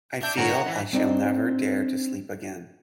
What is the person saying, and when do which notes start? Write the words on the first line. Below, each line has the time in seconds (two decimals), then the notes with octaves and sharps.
I feel I shall never dare to sleep again!
0.23 D4 E5 G6
0.37 G#2 D3 A#4 C#5 F#5 G#5
0.53 G5
0.68 E3
0.93 C4 D4 D#4